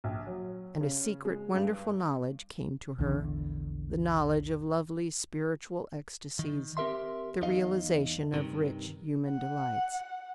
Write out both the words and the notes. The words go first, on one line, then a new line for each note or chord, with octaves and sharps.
And a secret, wonderful knowledge came to her--the knowledge of lovely spiritual ecstasies, the realization of rich human delights.
A#1
F#3
C#3
G#3
G2
A#1 E2 D3
D#3
C4 G4 A#4 E5 C6
E2 D#4 D#5 F5
G2 C3 D#3
F#5